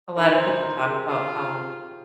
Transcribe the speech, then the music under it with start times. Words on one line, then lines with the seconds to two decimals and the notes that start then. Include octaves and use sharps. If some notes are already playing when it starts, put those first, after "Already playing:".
a lot of people talk about how
0.17 D#4 A#4
0.32 C5
0.47 C5
0.62 A#4
0.79 G4
0.86 G#4
1.08 F4